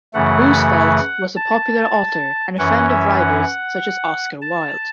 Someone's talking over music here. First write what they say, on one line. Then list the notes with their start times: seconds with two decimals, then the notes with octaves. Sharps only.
Roosevelt was a popular author and a friend of writers such as Oscar Wilde.
0.14 F#2 C#3 E3 A3 F#5
1.36 A5
2.58 F#2 E3 C#4 F#5
2.89 E5
3.20 F#5
4.42 A5